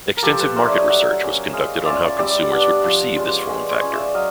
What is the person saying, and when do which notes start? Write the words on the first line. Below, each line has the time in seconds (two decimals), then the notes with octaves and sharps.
Extensive market research was conducted on how consumers would perceive this form factor.
0.17 A#4
0.22 F3 G4 A4
0.39 A4 B4
0.56 A3 D4 A#4 C5
0.66 E5
0.72 C#5 D#5
0.88 F#3 E5 F#5
1.20 A#3 C#4
1.53 G#3 D#5 F5
1.86 C#4 F4 D5 E5
2.19 G3 D5 E5
2.51 B3 D4
2.83 F3
3.16 G#3 C#4 F4
3.42 C#5
3.49 G#3 C5 D5
3.71 C#5 D#5
3.82 C#4 F4
3.92 D5 E5
4.14 F#3 D#5 F5